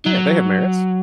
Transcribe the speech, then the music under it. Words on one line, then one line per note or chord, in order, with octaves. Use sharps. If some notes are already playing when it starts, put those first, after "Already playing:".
Yeah, they have merits.
F#3